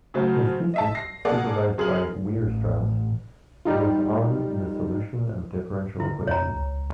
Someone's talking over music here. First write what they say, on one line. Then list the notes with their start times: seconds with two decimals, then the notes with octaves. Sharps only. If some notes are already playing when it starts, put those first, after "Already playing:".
His thesis, supervised by Weierstrass, was on the solution of differential equations.
0.14 C#3 F#3 A3 C5
0.74 D#5 E5 A5
0.95 A#6 C7
1.25 A#3 G#4 A4 D5 F#5
1.78 F#2 G#4 F6 F#7
2.36 A1
3.65 G3 D#4 F4
6.00 D3 E4
6.27 F2 C#5 A#5
6.56 C#2